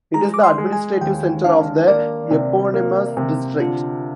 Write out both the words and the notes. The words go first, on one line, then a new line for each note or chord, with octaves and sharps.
It is the administrative center of the eponymous district.
G#3 A#5
D6
C6
G#3
G#5
D#2 G5
D4 F5
A#3 D5
C3
A#3
C3
D3 F4